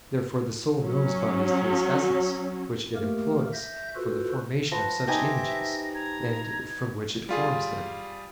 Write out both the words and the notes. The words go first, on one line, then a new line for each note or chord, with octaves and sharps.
Therefore the soul knows bodies through its essence, which it employs for the formation of such images, and from which it forms them.
F#3 C#4
A3 A#3 G4 A#4
E5 G6 A#6
F4 F#4 A4 B4 C5
F3 B4 F#5 A#6
D#4 G4 C5 E5 G#5 A5
A#5 G#6
G3 F4 G#4